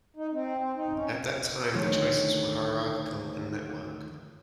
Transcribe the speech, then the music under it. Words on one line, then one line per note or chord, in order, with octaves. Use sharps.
At that time the choices were hierarchical and network.
D#4
C4
C4
D#4
C#4
D2 D#3 F3 A3 C#5